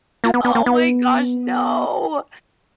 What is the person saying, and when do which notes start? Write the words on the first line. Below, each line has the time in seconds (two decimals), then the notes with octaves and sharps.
Oh, my gosh, no,
0.24 A#3
0.34 B3
0.45 B3
0.55 A#3
0.66 B3